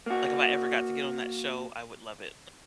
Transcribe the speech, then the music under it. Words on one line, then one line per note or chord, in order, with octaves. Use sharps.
like, if I ever got to get on that show, I would love it.
A#3 F#4